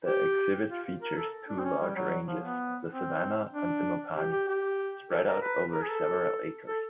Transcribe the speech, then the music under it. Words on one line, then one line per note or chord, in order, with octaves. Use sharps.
The exhibit features two large ranges-the Savanna and the Mopani-spread out over several acres.
G4
F4
A#4
A4
D4
C4
C#4
G3
F#3
F3
B3
C4
D4
G4
G4
G4
A4
A#4
B4
A#4
G#4
A4
A4